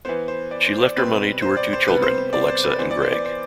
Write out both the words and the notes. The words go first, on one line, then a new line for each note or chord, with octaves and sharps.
She left her money to her two children, Alexa and Greg.
E3 B3 C5
C5
D5
C5
D5
B2 G3 C4 B4
C5
D5
C5
C3 G3 B3 B4
C5
D5
C5
B4
E3 B3 C5
D5
C5
D5
C5